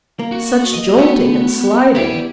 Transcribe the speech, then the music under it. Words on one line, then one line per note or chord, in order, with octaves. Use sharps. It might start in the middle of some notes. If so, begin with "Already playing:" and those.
Such jolting and sliding!
A#3
F#4
D#5
A3 B3 F#4 G4
B3 E4 G4 D5